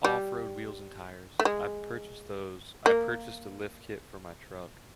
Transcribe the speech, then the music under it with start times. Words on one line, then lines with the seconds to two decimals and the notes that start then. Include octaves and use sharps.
off-road wheels and tires. I've purchased those, I purchased a lift kit for my truck.
0.04 G3
1.40 A3
1.45 G#3
2.86 A#3